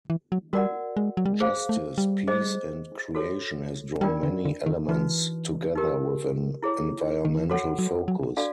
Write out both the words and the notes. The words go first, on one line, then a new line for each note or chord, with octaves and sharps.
Justice, Peace and Creation has drawn many elements together with an environmental focus.
E3
F#3
G3 F#4 A#4 D5 F#5
G#3
F#3
G3
G#3
A3 G#4 C5 F5
A3
G3
G#4 C5 D#5
F#4 A4 C#5
G3 D4 F4 A#4 D5 G5
D3
D3
D#3
E3 D#4 F#4 B4
D#4 G4 A#4
E4 G#4 C#5
D#3
E3
F3 F#4 A4 C#5 F#5
F#3
F#3
D4 F#4 A4 D5 F5